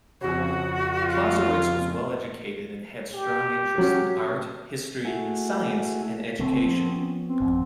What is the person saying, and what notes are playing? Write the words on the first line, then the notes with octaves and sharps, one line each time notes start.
Clausewitz was well-educated and had strong interests in art, history, science, and education.
F2 C#3 F#4
F4
G4
F#3 C#4
A3 E4 F#4 G#4
F#1 D3 A3 C4
F3 B3
C#4
C4
G#1 F2